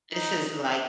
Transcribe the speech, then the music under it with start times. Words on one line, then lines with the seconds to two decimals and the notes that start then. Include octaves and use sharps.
this is, like,
0.13 D#4